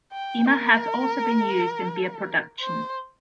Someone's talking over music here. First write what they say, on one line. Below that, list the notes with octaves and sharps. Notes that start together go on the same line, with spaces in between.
Emmer has also been used in beer production.
G5
A#4
C5